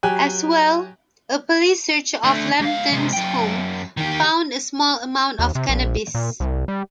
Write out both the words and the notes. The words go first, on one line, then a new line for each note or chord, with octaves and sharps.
As well, a police search of Lambton's home found a small amount of cannabis.
F#3 G4 G#5 F#6
D3 A3
G#2 F5
C3 G#3
F#2 G5
D#3 G4
D#2
C3
A#1
A#2
C2
G3